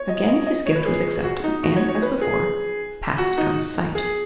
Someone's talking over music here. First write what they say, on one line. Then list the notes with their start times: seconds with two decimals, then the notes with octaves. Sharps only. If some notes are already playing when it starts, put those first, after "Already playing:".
Again his gift was accepted and, as before, passed out of sight.
Already playing: C#5
0.09 D#5
0.27 D#5
0.47 D#5
0.66 C#5
0.76 B4
0.86 G#4
1.24 F#4
1.44 D#4
1.63 F#4
1.76 C#5
1.89 C#5
2.02 B4
2.21 G#4
3.18 F#4
3.38 D#4
3.95 G#4